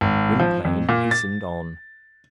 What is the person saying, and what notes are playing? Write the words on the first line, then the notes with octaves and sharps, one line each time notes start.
Gwynplaine hastened on.
G#1
F3
F2
A#2
A6